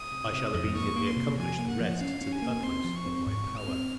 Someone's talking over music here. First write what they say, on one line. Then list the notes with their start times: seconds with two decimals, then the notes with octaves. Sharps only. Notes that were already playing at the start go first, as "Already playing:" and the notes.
I shall obediently accomplish the rest to the utmost of my power.
Already playing: D#6
0.12 C3
0.33 C3
0.54 F2
0.74 A#3 C#6
0.96 A#3
1.07 C6
1.16 C3
1.38 F3 G#5
1.59 A#3
1.69 F#5
1.80 F3
2.00 C#4 F5
2.21 C#4
2.32 G#5
2.42 A#3
2.63 C4 C6
2.84 F3
2.95 C#6
3.06 C4
3.26 G#2 C#6
3.47 G#2
3.58 F6
3.68 C4